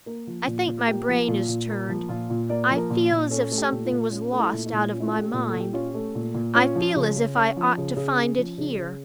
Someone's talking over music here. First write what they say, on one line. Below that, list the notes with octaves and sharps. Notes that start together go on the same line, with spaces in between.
I think my brain is turned. I feel as if something was lost out of my mind; I feel as if I ought to find it here.
A#3 A#4
F3
A#2
F4
A#2
A#3 G4
F3
A#2 F4
A#2
A#3
F3
A#2 F4
A#2
A#3 D5
F3
A#4
A#2
F4
A#2
C#4 A4
A3
G4
A#2
F4
A#2
C#4 F4
A3
E4
A#2
E4
A#2
C#4 F4
E4
F4
A3
G4
A#2
A4
A#2
G4
C#4 F4
G4
A3
A#2
A#2
C#4 F4
F3
C#3
C#3
C#4
F3
C#3
C#3
C#4
F3
C#3
C#3